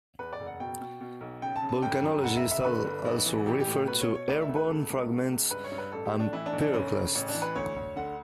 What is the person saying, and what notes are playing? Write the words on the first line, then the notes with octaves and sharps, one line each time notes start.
Volcanologists also refer to airborne fragments as pyroclasts.
E2 B4
D5
F#1
F#5
B2 G5
B2
B2
B1
C#3 G5
A5
C#3
A5
G1 G5
F#2
F#1 F#5
E5
F#1
E5
D3 B4
G1
B1
E3
A1 G4
G4
A2
G4
B2 B4
C#5
B2
C#5
D2 D5
E5
D2
B4
C#2 A4
C#2
C#2
C#2
G2 B4
C#5
G2
B4
A1 A4
G4
A2
D4
E3 E4
D4
B1
D4
G1 C#4
C#3
A1 C#4
D4
E3
B4
D2 C#5
D2
D3 F#5